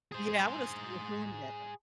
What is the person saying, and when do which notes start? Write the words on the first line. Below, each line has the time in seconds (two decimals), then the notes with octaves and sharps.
Yeah, I would have assumed that though.
0.12 G#4 C5